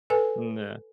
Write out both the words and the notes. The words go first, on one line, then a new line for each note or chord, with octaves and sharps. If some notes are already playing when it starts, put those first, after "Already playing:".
Mm, yeah.
A4 B4 G#5